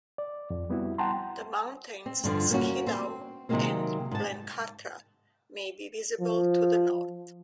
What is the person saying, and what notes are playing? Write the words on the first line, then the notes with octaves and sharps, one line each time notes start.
The mountains Skiddaw and Blencathra may be visible to the north.
D5
F2
G3 B3 C4 E4 F#4
F#5 G5 A5 A#5 C6
C4
G2 D3 F3
A#3 C#4 F#4
C4
C3 D#3 F#3 G#3 A#3 C4
G#2 A5
F3